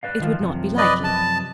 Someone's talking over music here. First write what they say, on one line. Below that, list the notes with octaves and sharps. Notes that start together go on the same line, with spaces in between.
It would not be likely.
B4 D5 F5
D#3 F3 F4
F#2 C3 F3
B4 D5 D#5
A5